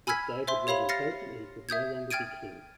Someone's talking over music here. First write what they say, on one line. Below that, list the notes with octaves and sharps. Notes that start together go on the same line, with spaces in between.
If David was impotent he could no longer be king.
G#5 B5 E6 F6 G#6 B6
C5 E5 C6
G4 C#5 F5 B5 F7
F6 A6 A#6 C7 C#7
E5 D#6 G6 G#6
G5 F6 G#6 A6 D7 D#7